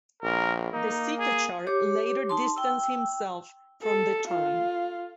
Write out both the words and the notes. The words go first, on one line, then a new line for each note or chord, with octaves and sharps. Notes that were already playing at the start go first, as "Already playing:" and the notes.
Desikachar later distanced himself from the term.
A#1 A#4
A#3 D#4
G#4
G4 C#5 D6
D#4 A5 C6
G5 E6
A4
F4